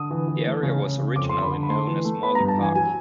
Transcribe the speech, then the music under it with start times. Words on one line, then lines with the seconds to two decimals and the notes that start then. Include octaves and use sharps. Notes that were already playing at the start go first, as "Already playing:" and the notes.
The area was originally known as Morley Park.
Already playing: D3 D#6
0.11 E3
0.28 E3
0.46 A3
0.63 C#3
0.81 C#3
0.98 C#3
1.16 F2 D6
1.29 C6
1.35 D3
1.42 B5
1.52 D3
1.63 B5
1.69 A3 C6
1.87 E3
2.05 A3
2.23 B3 B5
2.35 A#5
2.40 G2
2.48 A5
2.58 E3 G#5
2.75 F#3 G#5